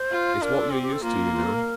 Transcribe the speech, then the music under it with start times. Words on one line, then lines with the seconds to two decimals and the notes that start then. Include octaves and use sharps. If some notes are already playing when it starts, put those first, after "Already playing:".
It's what you're used to, you know.
Already playing: C5
0.11 F4
0.41 D4 A#4
0.57 A4
0.72 C4 G4
0.83 G4
0.92 A4
1.02 A#3 F4
1.33 F4
1.44 A4
1.54 A#4